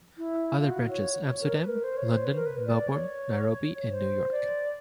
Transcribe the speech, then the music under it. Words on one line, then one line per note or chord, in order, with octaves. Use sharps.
Other branches: Amsterdam, London, Melbourne, Nairobi and New York.
E4
F4
F#4
C#5
A#4
B4
A#4
C5
C#5
C5
B4
A#4
B4
D5
C#5
C5
D5